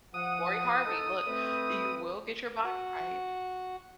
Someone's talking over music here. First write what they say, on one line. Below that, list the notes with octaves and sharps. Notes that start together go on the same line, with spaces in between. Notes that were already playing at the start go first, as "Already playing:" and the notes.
Laurie Harvey, look, you will get your body right.
F3 F#5 D#6
D#4 A4
A3 C4 B4
F#4